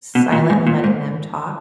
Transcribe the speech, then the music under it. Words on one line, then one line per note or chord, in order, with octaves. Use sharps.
silent and letting them talk
B2
A#2
G#2
A#2
G#2